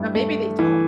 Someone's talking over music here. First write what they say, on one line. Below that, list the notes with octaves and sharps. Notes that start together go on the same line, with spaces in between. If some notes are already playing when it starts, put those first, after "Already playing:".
Or maybe they don't.
Already playing: G2 E4
A3
E3